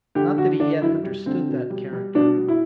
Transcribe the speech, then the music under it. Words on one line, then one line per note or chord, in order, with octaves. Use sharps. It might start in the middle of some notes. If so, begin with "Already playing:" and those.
Not that he yet understood that character.
D3 G4
D3 F#4
D3 D4
F#2 E4
G3
D3 C4
B2
G3
G3
B2 D4
B2
E4